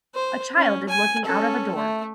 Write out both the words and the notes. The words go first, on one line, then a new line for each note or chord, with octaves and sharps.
A child is looking out of a door.
C5
C#4
G#5
C#4 A4
A3